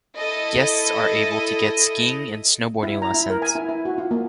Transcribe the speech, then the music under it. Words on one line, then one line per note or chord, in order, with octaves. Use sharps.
Guests are able to get skiing and snowboarding lessons.
E4 A4 D#5
E4
A#5
E4
A#4
G#5
E4
E4
F#4
F4
A#3